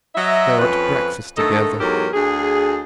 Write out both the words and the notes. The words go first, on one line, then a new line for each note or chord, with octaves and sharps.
They are at breakfast together.
F#3 D#5 E5
F2 F3 C#4 B4
D3 D#3 A3 D#4 A4
E2 G#2 F#3 G4 A4 A#4
D2 G#4